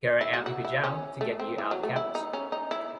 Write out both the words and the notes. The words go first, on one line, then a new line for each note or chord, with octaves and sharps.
Here I am in Pigalle to get you out of cabins.
E4
F#4
F#4
E4
C#4
A3
C4
E3
F#3
A3
E4
D#4
C#4
D#4
E4